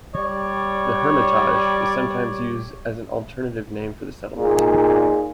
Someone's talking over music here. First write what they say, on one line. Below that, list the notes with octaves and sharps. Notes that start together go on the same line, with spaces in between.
The Hermitage is sometimes used as an alternative name for the settlement.
G3 C#5 D5
A#2 D#4 G#4